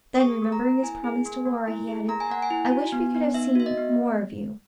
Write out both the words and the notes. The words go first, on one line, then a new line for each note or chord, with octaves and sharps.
Then remembering his promise to Laura, he added, 'I wish we could have seen more of you.
D#6
G#4 C#6
A#3
A#5
A#3
E4 G#5
G#4
A#3
A#3
E4
G#4
A#3 A#5
G#5
A#3 F#5
G#5
E4
F#4
B3
B3
D#4 E5
F#4 E5
D#5
B3